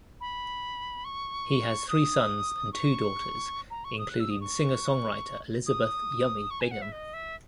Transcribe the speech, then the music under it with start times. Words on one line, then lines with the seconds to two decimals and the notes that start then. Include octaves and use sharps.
He has three sons and two daughters, including singer-songwriter Elizabeth "Yummy" Bingham.
0.20 B5
1.04 C#6
1.88 D#6
2.72 C#6
3.70 A#5
3.84 C#6
3.98 D#6
4.09 F#6
4.20 E6
4.30 D#6
4.40 C#6
5.66 D#6
6.50 C#6
6.60 G#5
6.71 F#5
6.81 E5
6.92 D#5
7.13 E5